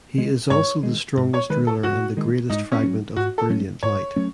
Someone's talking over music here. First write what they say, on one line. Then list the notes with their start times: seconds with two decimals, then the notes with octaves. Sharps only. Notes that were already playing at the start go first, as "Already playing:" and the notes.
He is also the strongest Ruler and the Greatest Fragment of Brilliant Light.
0.17 D#3 G#3
0.50 G#2 C#5
0.83 D#3 G#3
1.17 G#2
1.34 C#5
1.50 D#3 G#3 B4
1.67 A4
1.83 G#2 F#4
2.17 D#3 G#3
2.50 G#2 D#4
2.72 C#4
2.83 F#3 A3 C#4
3.16 G#2 F#4
3.38 A4
3.50 F#3 A3 C#4
3.83 G#2 C#5
4.16 F#3 A3 C#4